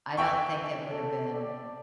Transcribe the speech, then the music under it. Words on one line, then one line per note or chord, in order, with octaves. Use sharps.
I don't think it would've been,
E5 G5 C#6
A4
D5